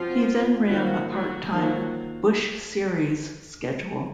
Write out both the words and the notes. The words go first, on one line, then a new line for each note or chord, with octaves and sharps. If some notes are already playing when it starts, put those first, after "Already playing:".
He then ran a part-time Busch Series schedule.
Already playing: F3 C4 F4 F#4 C5
D#3 F#3 A#3 F4 F#4 C5 F5
F#3 F#4
D#3 F#3 A#3 F4 F#4 C5 F5